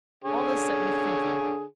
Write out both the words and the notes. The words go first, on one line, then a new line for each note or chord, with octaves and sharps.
All this set me thinking.
D3 G#4 C#5